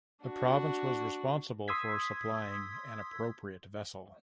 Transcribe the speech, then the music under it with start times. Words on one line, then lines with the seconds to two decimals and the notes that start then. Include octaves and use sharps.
The province was responsible for supplying an appropriate vessel.
0.25 D4 F#4
1.68 C6 D#6 E6 G#6 B6